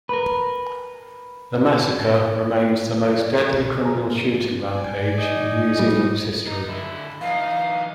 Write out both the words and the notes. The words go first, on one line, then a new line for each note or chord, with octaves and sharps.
The massacre remains the most deadly criminal shooting rampage in New Zealand's history.
A#4 B4
D5
A4
B2
G#4 A#5
D5 G#5
D#4 D#5
G3
D#4
D3 E4
E3 D#4 F5